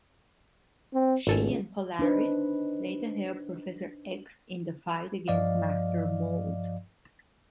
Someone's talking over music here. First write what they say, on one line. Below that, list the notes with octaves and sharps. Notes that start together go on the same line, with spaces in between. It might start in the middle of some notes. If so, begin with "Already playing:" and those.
She and Polaris later help Professor X in the fight against Master Mold.
C4
G#1 C#2 A4 G#5
D4 D#4 B4 C5
G2 F3 D5 D#5 F5